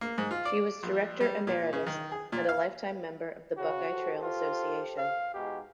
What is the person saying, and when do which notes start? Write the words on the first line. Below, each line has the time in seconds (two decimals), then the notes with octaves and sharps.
She was Director Emeritus and a lifetime member of the Buckeye Trail Association.
0.01 A#3
0.18 G#2
0.31 F4
0.45 D5
0.83 A#1
1.20 G3
1.47 A#2
1.73 C#3
1.87 D#3
2.11 G#4
2.32 A#2
2.49 F5
3.58 C#3 F#4
3.90 G4 A4 C5
4.23 F4
4.98 F5
5.34 B2 G#3 D#4 G4